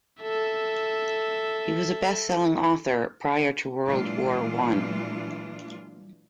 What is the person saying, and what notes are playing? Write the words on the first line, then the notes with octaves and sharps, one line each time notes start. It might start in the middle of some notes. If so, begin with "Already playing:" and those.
He was a best-selling author prior to World War One.
A4 E5
A#2 E3 F#3 G#3 D4 F4